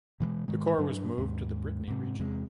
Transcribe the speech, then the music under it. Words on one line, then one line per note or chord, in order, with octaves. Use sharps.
The corps was moved to the Brittany region.
B2 E3 F#3 G#3
G#2 D#3 G#3
G2 F#3 D4
D#2 G#2
G#2 C3
E2 C3 G#3